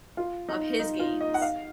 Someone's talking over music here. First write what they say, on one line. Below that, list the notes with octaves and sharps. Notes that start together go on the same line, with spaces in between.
of his games.
F4
D#4
D#4
F4
D#5
F#5
F5